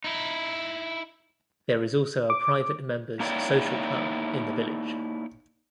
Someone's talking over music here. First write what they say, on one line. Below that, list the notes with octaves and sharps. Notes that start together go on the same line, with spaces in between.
There is also a private members social club in the village.
D#4 E4
D6
A#3 D#4 E4 C#5 D5 G5